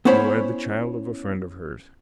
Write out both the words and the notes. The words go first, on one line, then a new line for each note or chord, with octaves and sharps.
You are the child of a friend of hers.
B3 C#4 E4 C5 C#5 B5